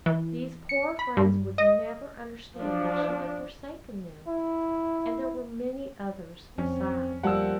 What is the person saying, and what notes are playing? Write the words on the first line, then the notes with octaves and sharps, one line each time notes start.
These poor friends would never understand why she had forsaken them; and there were many others besides.
E3
C#7
B5
G2
D#5
F3 D4
E4
F2 C4 C#4
F3 G3 A#3 F#5 E6